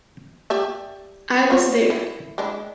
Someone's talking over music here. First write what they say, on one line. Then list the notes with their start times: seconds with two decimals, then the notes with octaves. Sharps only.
I was there.
0.50 G4 D5 E5
1.50 F4 F#4 C#5
1.90 E4
2.38 G#3 D4 E4